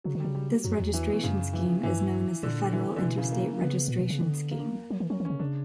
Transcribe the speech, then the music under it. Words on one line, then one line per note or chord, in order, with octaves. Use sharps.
This registration scheme is known as the Federal Interstate Registration Scheme.
C#3 F#3
D3
C#3 G3
G3
F#2 F#3
E2
E3
B2
F#2 C#3
E3
G2 E3
A#2 D3
E3
D3
B2 E3
C#3
A#3
C#3 B3
A#2
B2
C#3
D3
A#3
F#3
E3
F#3 C#4
E3
C#3 C#4
C#3 D4